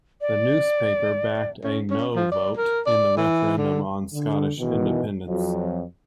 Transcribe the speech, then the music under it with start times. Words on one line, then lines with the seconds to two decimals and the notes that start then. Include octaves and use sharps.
The newspaper backed a 'No' vote in the referendum on Scottish independence.
0.21 D5
1.63 C#4
1.90 C#4
2.16 F3
2.32 D5
2.57 A#4
2.86 D5
3.17 E3
3.58 D3
4.12 D3
4.58 B2 D#3 E3
5.27 F2 F#3